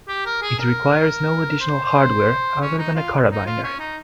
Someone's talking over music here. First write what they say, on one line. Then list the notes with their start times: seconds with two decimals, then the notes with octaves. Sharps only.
It requires no additional hardware other than a carabiner.
0.08 G4
0.26 A#4
0.42 G#4
0.59 A#4
1.60 C5
1.85 C5
2.61 C#4
2.78 D#4
2.95 F4
3.29 D#4
3.46 F4
3.63 C#4
3.79 D#4